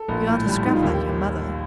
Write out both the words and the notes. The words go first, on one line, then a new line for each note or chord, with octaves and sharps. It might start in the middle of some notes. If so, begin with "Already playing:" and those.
You aren't a scrap like your mother.
Already playing: A4
A#1
A2
G3
A#1 D#4
F4
D#2 G4
G4